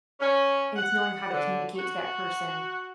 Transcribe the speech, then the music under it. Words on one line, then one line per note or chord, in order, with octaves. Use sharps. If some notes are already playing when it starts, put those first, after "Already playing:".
and it's knowing how to communicate to that person
C#4
F#5
D3
F#4